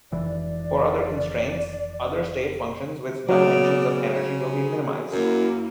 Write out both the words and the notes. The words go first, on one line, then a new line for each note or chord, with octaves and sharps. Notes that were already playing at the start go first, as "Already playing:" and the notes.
For other constraints, other state functions with dimensions of energy will be minimized.
F1 E3 D5
C#3 F#3 B3 D5
C#3 G#4
F#2 A#3 E4